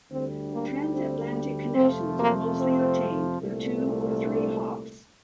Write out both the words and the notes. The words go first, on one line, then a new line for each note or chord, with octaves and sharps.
Transatlantic connections are mostly obtained with two or three hops.
D2 D3 G3 C4
A#3
C4
F2 C3 F3 A3 C4
A#3
C4
C2 A#2 A3
D4